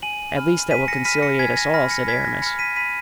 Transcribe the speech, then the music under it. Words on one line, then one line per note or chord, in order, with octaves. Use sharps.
"At least that will conciliate us all," said Aramis.
G#5 D#7 F#7
B5 F6
G#5 B6 D#7
A#6 C#7
B5 F6 B6 D#7
A#6 C#7
G#5 G#6 B6
A#6
B5 F6 A#6
A#6 C#7
G#5 G#6 B6
A#6
B5 F6 A#6 C#7
B6 D#7
B5 B6 D#7